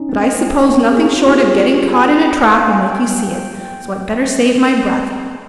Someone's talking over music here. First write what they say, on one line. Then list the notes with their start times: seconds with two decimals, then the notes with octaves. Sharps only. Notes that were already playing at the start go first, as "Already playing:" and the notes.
But I suppose nothing short of getting caught in a trap will make you see it; so I better save my breath.
Already playing: C#4 D#4
0.09 C4
0.23 C4
0.41 C4
0.47 C#4
0.69 A#3
0.80 A#4
0.91 G#4
1.17 F4
1.26 G4
1.35 G#4
1.94 G#5
2.02 G5
2.25 G5
2.47 F5
2.69 G#5
2.91 G5
3.35 G5